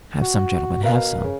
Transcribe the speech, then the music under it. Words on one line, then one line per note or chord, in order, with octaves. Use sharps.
"Have some, gentlemen, have some!"
F#4
B2 A#4 B4 F5
C#3